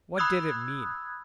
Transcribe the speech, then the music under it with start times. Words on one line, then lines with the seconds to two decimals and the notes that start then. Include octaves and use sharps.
What did it mean?
0.18 B5 D#6 E6 F#6 G#6